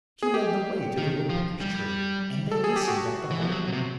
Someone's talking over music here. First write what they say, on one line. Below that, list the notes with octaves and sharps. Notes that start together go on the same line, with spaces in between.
She led the way to the woodpecker's tree, and they listened at the hole.
G#4
G4
D#3
F3
G3
A4
G#4
G4
F#4
E3
F3
F#3
B2
C3